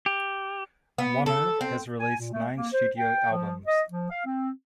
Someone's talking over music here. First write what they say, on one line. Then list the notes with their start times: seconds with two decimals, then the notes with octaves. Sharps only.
Mono has released nine studio albums.
0.06 G4
0.98 B3
1.26 A4
1.61 C4
2.00 G#5
2.19 A#2
2.33 A3
2.56 A#3
2.73 C5
2.98 G5
3.31 F3
3.67 D#5
3.90 F3
4.10 F5
4.26 C4